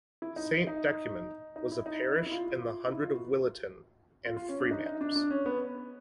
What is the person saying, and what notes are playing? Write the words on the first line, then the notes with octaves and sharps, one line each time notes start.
Saint Decuman was a parish in the hundred of Williton and Freemanners.
E4
D#4
D#4
D#4
E4
D#4
D#4
E4
E4
F4
F4
D#4
E4
F4
F#4
F4
F4
C#4
D4
D#4
D#4
D4
D4
C#4
B3